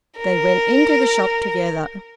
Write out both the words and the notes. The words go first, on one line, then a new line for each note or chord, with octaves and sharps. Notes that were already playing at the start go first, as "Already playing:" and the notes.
They went into the shop together.
A#4